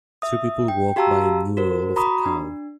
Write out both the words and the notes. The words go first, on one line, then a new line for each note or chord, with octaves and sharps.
Three people walk by a mural of a cow.
E5 D#6
G5
F#4 G4 F5 A5 A#5 E6
F#4 A#4 C5
F#4 A#5 B5 C#6 D#6
D4